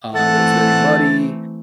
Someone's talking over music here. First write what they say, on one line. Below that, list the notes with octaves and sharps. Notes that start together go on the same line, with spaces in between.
uh, that was very muddy
E3 A3 C4 A4 F#5 A6